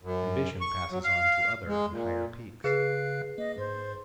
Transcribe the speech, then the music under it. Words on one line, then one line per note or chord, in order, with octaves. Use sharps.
Ambition passes on to other and higher peaks.
F#2
C#6
F#3
F5
G#3
A#2
C#3 G#4 B4 F5 F#6 C7
A#3 D#5
G#2 C5